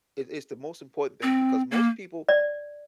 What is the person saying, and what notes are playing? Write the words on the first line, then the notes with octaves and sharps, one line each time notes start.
It it's the most important thing, because most people
C4
A#3
D5